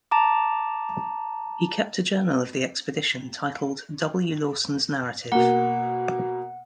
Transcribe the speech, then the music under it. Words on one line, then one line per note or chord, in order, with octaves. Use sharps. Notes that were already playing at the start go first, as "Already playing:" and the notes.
He kept a journal of the expedition titled, 'W Lawsons Narrative.
A5 A#5 D6
B2 A#3 F#5